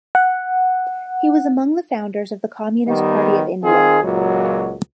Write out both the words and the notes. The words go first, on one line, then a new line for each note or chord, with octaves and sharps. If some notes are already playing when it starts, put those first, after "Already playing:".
He was among the founders of the Communist Party of India.
F#5
D#3 G3 B3
D#3 C4 F4 G#4
C#2 A#2 F#3